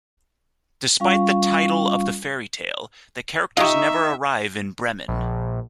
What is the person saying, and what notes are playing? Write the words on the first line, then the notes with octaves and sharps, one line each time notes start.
Despite the title of the fairy tale, the characters never arrive in Bremen.
G3 C#4 F4 F5 C#6
D#4 F4 G4 D#5 E5 A#5 C#6
A#1